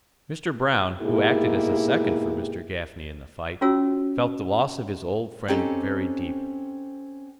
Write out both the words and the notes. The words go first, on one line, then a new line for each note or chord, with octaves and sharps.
Mr. Brown, who acted as a second for Mr. Gafney in the fight, felt the loss of his old friend very deeply.
G#2 B2 A#3 E4 G4 G#4
C#4 F4 F#4 G#4 C#5 E6
C4 C#4 D#4 G4 A4